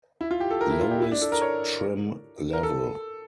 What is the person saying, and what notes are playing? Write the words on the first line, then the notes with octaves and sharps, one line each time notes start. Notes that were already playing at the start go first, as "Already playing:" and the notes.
Lowest trim level.
E4
F4
G4
A4
A#4
E4
F4
G4
E4
D4
A4
A#4
C#5
A#4
A4